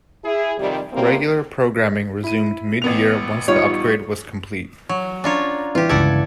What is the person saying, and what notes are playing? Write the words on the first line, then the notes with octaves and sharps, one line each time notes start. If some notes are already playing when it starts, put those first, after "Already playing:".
Regular programming resumed mid-year once the upgrade was complete.
E4 G#4
F2 C3 D#3 G3
A2 G3 A#3 C4
E4 D#7
A1 B3 F7
G3 D#4 F4 C#5
F#3 C#5
C#4 D4 F4 C#5 A#5
E3 F4 G4
G1 C#2 A4 D5 F#5 G#6